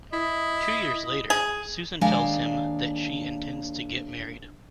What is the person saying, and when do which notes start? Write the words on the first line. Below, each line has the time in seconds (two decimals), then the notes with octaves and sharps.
Two years later, Susan tells him that she intends to get married.
0.13 E4 D#5
1.30 G#4
2.01 D#2 G#3 D4 F5 G#5